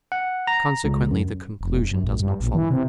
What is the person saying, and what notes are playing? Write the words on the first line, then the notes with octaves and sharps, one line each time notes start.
Consequently the conclusion does not follow.
F#5
A#5
C#2
F#2
F1
F#2
A1
G2
A#1
E3
C3